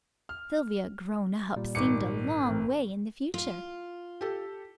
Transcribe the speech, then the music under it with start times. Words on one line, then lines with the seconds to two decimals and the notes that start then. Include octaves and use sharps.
Sylvia "grown up" seemed a long way in the future.
0.29 F6
1.56 A#2 G3
1.75 G#1 D6 C#7
2.46 A1 C4 A#4
3.34 F4
4.21 G4 A4